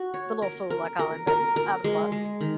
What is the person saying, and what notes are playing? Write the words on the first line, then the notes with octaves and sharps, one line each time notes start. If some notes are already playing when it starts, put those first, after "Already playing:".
the little fool I call him, but out of love.
Already playing: F#4
C#5
A#4
A#4
A#4
A#4
A#4
G#3
G#3
D#3